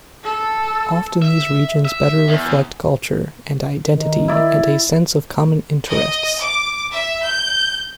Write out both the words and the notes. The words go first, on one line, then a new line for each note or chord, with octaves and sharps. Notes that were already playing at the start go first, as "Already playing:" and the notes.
Often these regions better reflect culture and identity and a sense of common interests.
A4
E5
E5
E2
D#3
E4 D5
D#5
D6
E5
G6